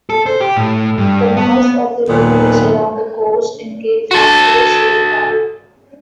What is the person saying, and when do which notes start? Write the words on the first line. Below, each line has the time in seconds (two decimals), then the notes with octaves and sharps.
The mouth of the river is along the coast in Cape Blanco State Park.
0.10 A4
0.26 C5
0.41 G4
0.57 A2
0.98 G2
1.37 B3
2.08 D#2 A#2 D#3 F#3 B3
4.11 F#4 A4